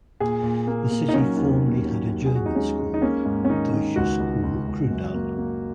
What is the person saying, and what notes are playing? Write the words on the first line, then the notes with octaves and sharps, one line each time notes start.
The city formerly had a German school, Deutsche Schule Kroondal.
A#2 G#4
A#2
A#3
A#3
D#4
F#3 C#4
D#2
D#2
F#3
D#2
G#4
D#2 F#4
D#4
G#3 C#4
G#3
D#4
A#3 C#4
G#2
C#4
D#3 D#4
D#3
C#2 F#4
C#2
C#2
C#2
F#2
A#3
A#3